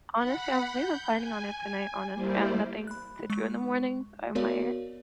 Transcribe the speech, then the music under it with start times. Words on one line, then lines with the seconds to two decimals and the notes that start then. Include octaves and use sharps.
honestly, I'm really planning on it tonight, honestly, I have nothing to do in the morning, so I might
0.15 F#5 B5
0.66 G6
1.16 G#5
2.15 G3 A#3 E4 G4 C5 D5
2.87 B5 F#6
3.30 G#3 C#6
4.35 B3 F#4 A#4 C#5 D5 F5